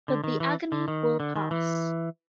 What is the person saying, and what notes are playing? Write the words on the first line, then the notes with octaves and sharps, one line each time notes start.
But the agony will pass.
D3
D#3
E3
D3
D#3
D3
D#3
E3